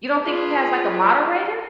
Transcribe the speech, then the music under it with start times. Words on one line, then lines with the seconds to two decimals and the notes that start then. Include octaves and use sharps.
You don't think he has, like, a moderator?
0.22 F4 G#4 B4